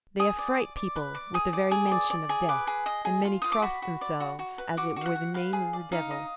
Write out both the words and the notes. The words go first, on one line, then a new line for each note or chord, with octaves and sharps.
They affright people with the very mention of death, and many cross themselves, as it were the name of the devil.
G#4 D#6
D5
D5
D5
B4
D5
G#4 D#6
D5
G#4
D5
D5
G#4
B4 D6
G#4
D#5
G#4
F4
F4 D#6
D6
F#4 B5
F#4
D5
F#4
F#4
B4
F#4 D6
F#4 F5
F#5
F#4
B4 F5
G#4
D5
D#4 F5
D#5